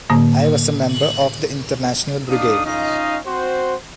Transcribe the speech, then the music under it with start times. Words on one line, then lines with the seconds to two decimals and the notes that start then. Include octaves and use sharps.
I was a member of the International Brigade.
0.10 A2 D3 A#3
2.29 D4 D#4 F5 D#6
2.66 C#4 D#4 F4 D#5 F5
3.26 C4 F#4 C5